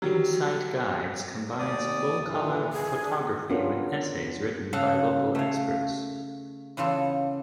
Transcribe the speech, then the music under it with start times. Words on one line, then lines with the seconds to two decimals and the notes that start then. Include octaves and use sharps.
Insight Guides combines full-colour photography with essays written by local experts.
0.02 F#3 G3
1.59 D#2 D5 D#6
2.28 G2 A#2 E3
2.73 E3 G#4
3.02 D4
3.50 B3 C#4 D4 F4 A4 A#4
4.73 C#3 A4 F5 F#5
5.35 A3 F5
6.77 E2 C#3 F4 A4